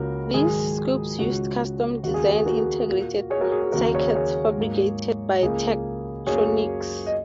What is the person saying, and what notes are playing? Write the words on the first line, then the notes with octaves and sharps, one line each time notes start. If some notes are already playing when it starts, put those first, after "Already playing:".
These scopes used custom designed integrated circuits fabricated by Tektronix.
Already playing: C#2 C#3 A#3 F#4 A#4
G#2 D#3 F#3 G#4
C#2 C#3 G#3 F#4
D#2 C#3 A#3 F#4
G#4
F#4
G#4
F#4 A#4
A#2 A#3
G#4 C#5
F#4 A#4
G#4
G#4
D#2 C#3 F#3 A#3 F#4 A#4
G#4 C#5
G#4 C#5
G#2 F#3 A#3
C#2 C#3 A#3 G#4
F#2 F#3 A#3 G#4 C#5
D#5